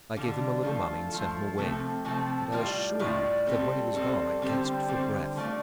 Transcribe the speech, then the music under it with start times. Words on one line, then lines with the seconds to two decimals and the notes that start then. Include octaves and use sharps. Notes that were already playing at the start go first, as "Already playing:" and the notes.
I gave him a little money and sent him away, and I assure you that when he was gone I gasped for breath.
0.16 D3 G3 D4 F4
0.63 F3 A3 F4 A4
1.10 F3 A3 F4 A4
1.58 C3 F3 A3 C4 A4
2.05 C3 F3 A3 C4 A4
2.52 A2 G3 F4 D5
2.99 A2 G3 F4 D5
3.47 G3 C4 A4
3.94 G3 C4 A4
4.42 D3 G3 C4 G4 C5
4.88 D3 G3 C4 G4 C5
5.35 D3 A3 F4 D5